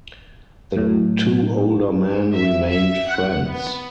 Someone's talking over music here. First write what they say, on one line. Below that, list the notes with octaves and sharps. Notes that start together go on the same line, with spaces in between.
The two older men remained friends.
A2 F#3
E5
E5
F#5
B3